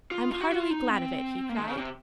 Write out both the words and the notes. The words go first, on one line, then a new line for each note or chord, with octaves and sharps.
"I am heartily glad of it," he cried.
F4
F4
F#4
F#4
F4
D#4
C4
A#3
D#3
C#3
C3